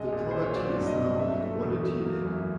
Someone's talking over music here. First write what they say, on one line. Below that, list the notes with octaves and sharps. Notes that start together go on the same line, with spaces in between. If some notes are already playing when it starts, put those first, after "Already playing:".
The property is now a Quality Inn.
Already playing: A#1 G#3 D#5
A#2
A#2 C5
C#5
F#3 D5
G2
D#5
G2
F#3 E5
A3
E2
F#3
A#3
F#2